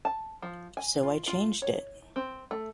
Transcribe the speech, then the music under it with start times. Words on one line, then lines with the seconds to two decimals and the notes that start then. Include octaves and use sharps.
So I changed it.
0.05 A5
0.42 F3
0.77 G#5
1.03 F4
1.27 F4
1.62 C#5
2.16 C4
2.51 A3